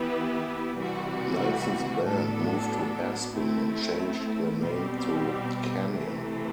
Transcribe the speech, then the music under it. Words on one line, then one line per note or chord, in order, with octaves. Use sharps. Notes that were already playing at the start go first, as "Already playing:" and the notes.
Nelson's band moved to Aspen and changed their name to "Canyon".
Already playing: E3 B3 E4 G4 B4
C3 E3 G3 C4 F#4
A2 F#3 B3 D4 A4
A3 C4 E4
B2 G3 C4 G4
C3 E3 A3